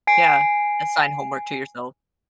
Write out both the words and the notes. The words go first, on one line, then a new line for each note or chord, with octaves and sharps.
Yeah. Assign homework to yourself.
G#5 C7 D7